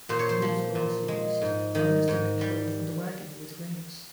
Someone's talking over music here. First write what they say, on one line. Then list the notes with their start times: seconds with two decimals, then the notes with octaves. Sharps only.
Mules were also used, harnessed and controlled from the wagon with reins.
0.09 A#2 C5
0.19 C#5
0.29 C5
0.42 F3
0.75 A#2
1.08 G#3
1.42 G#2
1.75 D#3
2.08 G#2
2.41 G3